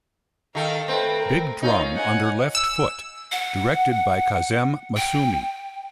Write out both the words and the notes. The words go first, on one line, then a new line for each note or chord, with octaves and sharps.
"Big Drum Under Left Foot" directed by Kazem Masoumi.
D#3 A4 F5
A3 C4 B4
A#4
C#4 D#4 F4
F#5 G#5
E6
F#5
G5